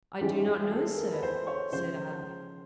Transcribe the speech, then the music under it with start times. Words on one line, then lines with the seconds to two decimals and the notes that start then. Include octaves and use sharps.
"I do not know, sir," said I.
0.20 G#2 E3 G#3 C#4 G4
0.46 G#4
0.64 G#4
0.71 A4
0.97 A#4
1.13 B4
1.23 C5
1.47 C#5
1.72 C#3 F3 G#3 C5